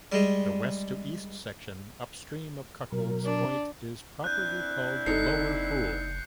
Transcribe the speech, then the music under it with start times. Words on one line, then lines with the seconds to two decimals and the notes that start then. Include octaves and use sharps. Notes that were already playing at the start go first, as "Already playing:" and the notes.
The west-to-east section upstream of Cuckold's Point is properly called the Lower Pool.
0.12 G3 G#3
2.92 B2 F#3 A#4
3.25 D4
4.24 C4 D4 E4 F#6 G6
5.06 F#1 D#4 A4 C7 C#7